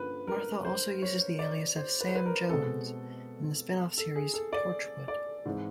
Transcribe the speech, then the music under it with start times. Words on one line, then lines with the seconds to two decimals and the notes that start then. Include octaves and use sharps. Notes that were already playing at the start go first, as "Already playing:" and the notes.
Martha also uses the alias of "Sam Jones" in the spin-off series "Torchwood".
Already playing: G2 D3 F3 A#3 C#4 B4
0.27 A#4
0.65 C5
1.02 C#5
1.39 D5
1.76 C5
2.01 B4
2.08 C5
2.15 B4
2.26 A#4
2.49 B2 G#3 C4 A4
3.98 A4
4.16 G#4
4.34 A4
4.53 D5
5.08 D5
5.45 G#2 E3 G#3 C4